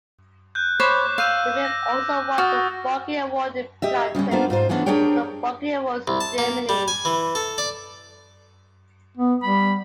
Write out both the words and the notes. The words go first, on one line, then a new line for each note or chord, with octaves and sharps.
The film also won the Bogey Award in Platin from the Bogey Awards, Germany.
F#6 G6
C5 C#5 B5 D6
F5 E6 G6 D#7
A#6
F#4 D#6 F6 A6
G4 D#5 E5
C#3 G3 G#3 C#4
A#3 B3 D4 F4 C5
G#2 F4 C5
E3 G#3 B3 C#4 D4
D4 G4 G#4 A#4 C#5 G5
C2
A5
A#3
G3
G#5
E3
A4
D5
B3
G3 B5